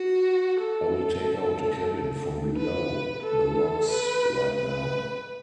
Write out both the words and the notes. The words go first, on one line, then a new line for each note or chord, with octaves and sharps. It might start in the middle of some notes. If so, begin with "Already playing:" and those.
I will take out a cabin from below the rocks right now.
Already playing: F#4
A4
B4
A4
B4
B4